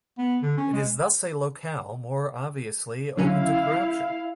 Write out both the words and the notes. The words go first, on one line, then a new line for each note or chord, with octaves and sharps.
It is thus a locale more obviously open to corruption.
B3
D3
C#4
G#3
D3 F#3 C#4 E4 F5